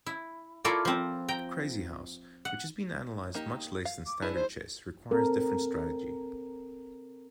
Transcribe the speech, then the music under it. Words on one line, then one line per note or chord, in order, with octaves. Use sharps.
Crazyhouse, which has been analysed much less than standard chess, requires different strategy.
E4
E4 F4 A4 A#4 C#5 D5
F3 C4
G5 A#5
F#5
A#3 D#4 G4
F5
D6
D4 E4 G#4 B4
C5
C4 A4 A#4